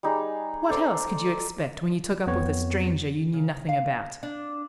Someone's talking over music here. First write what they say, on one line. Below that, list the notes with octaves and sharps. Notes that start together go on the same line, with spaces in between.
What else could you expect when you took up with a stranger you knew nothing about?
G3 D#4 G#4
A4 C5 D5 A#5
F2 B3 C4 C#5
C#3
F5
D4